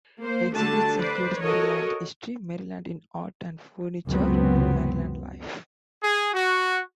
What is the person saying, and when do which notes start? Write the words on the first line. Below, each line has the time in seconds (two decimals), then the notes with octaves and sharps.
Exhibits include Maryland's history, Maryland in art and furniture in Maryland life.
0.21 A#3 C5
0.55 D3 G3 A3 D4 F#4 A5
0.98 B4 C5 D5
1.42 F#4 A4 A#4 C#5 D#5
4.07 C#2 F#2 C3 F#3 B3 C4
6.03 G#4
6.34 F#4